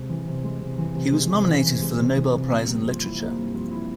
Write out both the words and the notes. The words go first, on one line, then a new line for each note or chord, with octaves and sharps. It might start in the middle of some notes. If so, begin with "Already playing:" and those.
He was nominated for the Nobel Prize in Literature.
Already playing: C3 G#3
E3
C3
G#3
C3
E3
C3
G#3
C3
E3
C3
G#3
C3
E3
C3
A#3
G2
F3
E4
A#3
G2
F3
E4